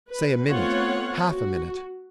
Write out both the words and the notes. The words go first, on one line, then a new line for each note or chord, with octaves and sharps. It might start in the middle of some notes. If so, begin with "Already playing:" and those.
Say a minute--half a minute.
B4
A3 B3 C4 F4 C#5 F#5
F#4